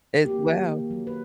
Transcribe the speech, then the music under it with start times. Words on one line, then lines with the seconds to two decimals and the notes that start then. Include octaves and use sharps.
as well.
0.25 A#3 G4
0.47 D#3
0.68 A#3
0.91 F#3
1.07 B4